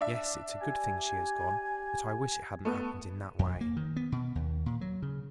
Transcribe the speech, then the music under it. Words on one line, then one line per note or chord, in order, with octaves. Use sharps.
Yes, it's a good thing she has gone; but I wish it hadn't happened in that way.
D4 E5
G4 G#5
A3 B3
F2
A#3
D#3
B3
B2
D#2
A#2
F#3
C#3